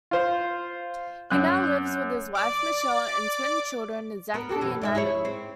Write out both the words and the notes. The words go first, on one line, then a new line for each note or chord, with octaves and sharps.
He now lives with his wife, Michele, and twin children, Zachary and Adam.
F4 C5
F#2 F#6
D5 D6
B3 A#4
F#4 G4 A4
F#2 B2 E3
G#2 D5 E5
E4 G#4 C#5
C4